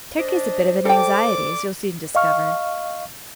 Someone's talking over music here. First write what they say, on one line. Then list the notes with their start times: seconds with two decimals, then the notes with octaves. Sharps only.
Turkey's a bit of an anxiety, as you'll soon discover.
0.18 D4 C5 D#5
0.85 A4 D5 G5 D6
2.15 D#5 F5 C#6 F6